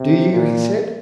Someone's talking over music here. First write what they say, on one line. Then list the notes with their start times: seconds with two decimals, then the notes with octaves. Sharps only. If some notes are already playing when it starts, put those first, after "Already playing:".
"Do you?" he said.
Already playing: C3
0.33 A#2